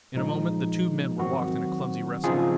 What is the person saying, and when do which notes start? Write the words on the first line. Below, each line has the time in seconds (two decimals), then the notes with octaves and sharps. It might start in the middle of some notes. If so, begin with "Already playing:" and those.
In a moment the two men were locked in a clumsy wrestle.
0.14 A#2 F3 G#3 D#4
1.19 G#2 D#3 F#3 C4 F#4
2.24 C#3 F3 C4 D#4 F4 G#4